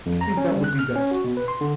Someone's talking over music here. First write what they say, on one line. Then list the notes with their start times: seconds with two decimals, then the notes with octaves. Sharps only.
I think that would be best.
0.06 F2
0.21 A#5
0.37 C#4
0.51 G3
0.64 F#6
0.79 F6
0.95 C#4
1.11 F#4
1.24 B2
1.37 B4
1.48 C6
1.61 D3